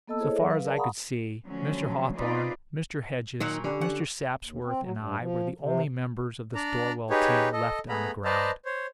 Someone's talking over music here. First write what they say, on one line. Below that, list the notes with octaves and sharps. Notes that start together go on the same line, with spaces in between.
So far as I could see, Mr. Hawthorn, Mr. Hedges, Mr. Sapsworth, and I were the only members of the Storwell team left on the ground.
A#3 B3 A4 D#5 A5 E6
E4 G#4 A4 C5 C#5 D#5
F#3 E5
B4 F5
G#4 A#4 D5 A5
F5 F#5 A#5 B5 C#6 D#6
D3 F3 F#3 A3 C#4
C4 D#4 F4 G#4 B4 D5
A#2 D#3 F#3
D3 G3 C#4 D4
C#4 F#5
D#2
C4
F#3
G2
F3
C3
D4 D5 A#5
D#4 G4 G#4 B4 C#5
A4 D#5
A3 B3 G#4 A#5 B5
B4 C5 D5 D#5 A5 A#5
C5 C#5